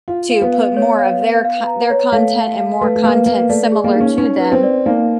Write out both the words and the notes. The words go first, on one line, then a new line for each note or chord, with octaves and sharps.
to put more of their co their content and more content similar to them,
F4 F5
F5
B3
F5
C#5
F5
F5
F5
A#5
C#5
A3 F5
F5
F5
A3 B4
A3
A#3 B4
A#3 B4
A3 D5
G#4
A#3
D#4
C#4
C#4 D#4
B4
C4
D5
A#3 D#4